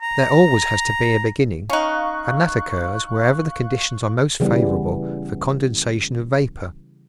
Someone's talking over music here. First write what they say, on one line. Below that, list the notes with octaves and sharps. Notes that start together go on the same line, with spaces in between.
There always has to be a beginning, and that occurs wherever the conditions are most favorable for condensation of vapor.
A#5
C#4 D#4 F5 C#6 F#6
C#3 E3 G3 B3